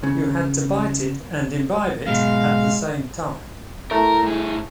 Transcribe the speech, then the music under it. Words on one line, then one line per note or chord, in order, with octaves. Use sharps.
You had to bite it and imbibe it at the same time.
C#3
G#2 B2 F#3 G#3 F5
A3 E4 A#4
A2 G#4